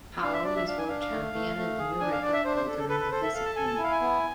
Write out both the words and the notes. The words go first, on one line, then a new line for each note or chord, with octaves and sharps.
Powell is world champion and the new record-holder in the discipline.
D4 F5
E5
D4 D5
E5
D4 F5
G#5
D4 F5
F5
A3
A3
A3
G#4
D4 G#5
F5
D4 D5
E5
D4 C5
C5
A4
A4
A4 B4
B4
A4 C5
E5
A4 F5
A5
A4 G#5
A5
G#5
E4
F5
G#5
B3